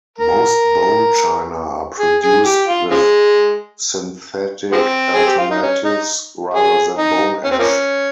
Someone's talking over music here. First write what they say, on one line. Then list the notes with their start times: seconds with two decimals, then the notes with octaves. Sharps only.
Most bone china are produced with synthetic alternatives rather than bone ash.
0.18 A#4
1.99 G#4
2.22 G#4
2.46 G4
2.67 F4
2.91 C#3 F3 G#3
4.72 F3 G#3 C4
5.14 G#4
5.27 G4
5.38 F4
5.51 D#4
5.63 C#4
5.85 D#4
6.54 G#4
6.98 D#4
7.44 C#4
7.51 C4
7.59 F3 A#3 C#4